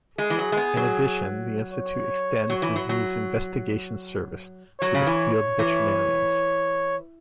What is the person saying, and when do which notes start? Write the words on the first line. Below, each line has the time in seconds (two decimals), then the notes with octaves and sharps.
In addition, the Institute extends disease investigation service to the field veterinarians.
0.18 G#3 G#4
0.30 E3
0.39 F#3
0.52 G#3
0.57 B3
0.77 F#3
1.73 C#5
2.50 F#3
2.62 E3
2.76 F#3
2.89 F#3
4.81 F#3 C#5
4.94 C#3
5.07 E3
5.59 E3